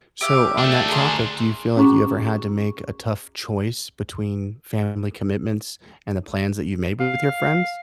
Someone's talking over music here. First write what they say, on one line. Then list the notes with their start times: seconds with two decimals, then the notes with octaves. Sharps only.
So, on that topic, do you feel like you ever had to make a tough choice between family commitments and the plans that you made with your friends?
0.21 G4 E5 F5
0.58 A3 D4
0.88 G#4 A#4 C6
1.76 C#4 F#4 G#4 A#5 C#6
7.00 F5